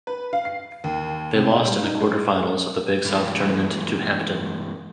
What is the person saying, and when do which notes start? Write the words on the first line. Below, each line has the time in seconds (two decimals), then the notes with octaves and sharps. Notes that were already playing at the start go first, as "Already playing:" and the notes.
They lost in the quarterfinals of the Big South Tournament to Hampton.
0.07 B4
0.33 F5
0.45 C7
0.84 D#2
1.36 C3
1.51 D#5
1.65 G3
1.83 D#4
2.00 G#3
3.05 G2 E3 G#3